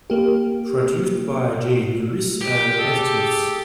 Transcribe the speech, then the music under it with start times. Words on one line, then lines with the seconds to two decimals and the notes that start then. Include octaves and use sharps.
Produced by Jay Lewis and Attitudes.
0.10 A#3 G4
2.41 G4
2.77 G#4 A4